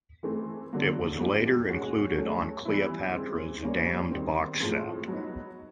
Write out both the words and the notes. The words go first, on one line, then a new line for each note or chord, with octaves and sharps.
It was later included on Cleopatra's Damned Box Set.
E3 A3 C4
D3 F#3 A#3
F3 A#3 D#4 G4
B2 G#3 C#4 F#4
F#3 A3 C#4
E3 G3 B3 E4
E3 G#3 C4
G3 A#3 C#4
D#3 G3 C4
A2 F3 G#3 C4
F#3 B3 D#4